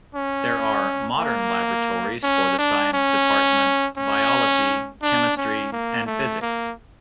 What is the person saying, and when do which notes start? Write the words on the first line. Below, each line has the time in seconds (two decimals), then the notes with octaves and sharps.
There are modern laboratories for the science departments: Biology, Chemistry and Physics.
0.15 C#4
1.19 A#3
2.23 C#4
2.59 D4
2.93 C#4
3.97 C#4
5.02 D4
5.37 C#4
5.72 A#3
6.06 A3
6.42 A#3